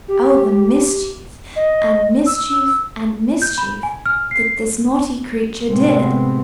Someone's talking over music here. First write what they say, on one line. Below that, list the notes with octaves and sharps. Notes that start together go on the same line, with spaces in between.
Oh, the mischief, and mischief, and mischief that this naughty creature did!
G4
D#5
E6
G6
B5
G#5
F6
C7
A2 C3 G#3 B3 C4